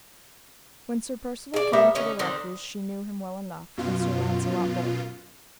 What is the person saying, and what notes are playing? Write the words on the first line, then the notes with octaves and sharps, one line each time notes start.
When Sir Percivale came to the recluse she knew him well enough, and Sir Launcelot both.
G#4 D5
G3 B3 A#4 E5
D3 C#4 D#4
D3 D#3 C4
F#2 B2 F4